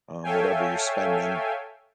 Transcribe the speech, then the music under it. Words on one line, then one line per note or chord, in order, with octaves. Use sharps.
um, whatever you're spending,
A4 C#5 E5 F5 G5 G#5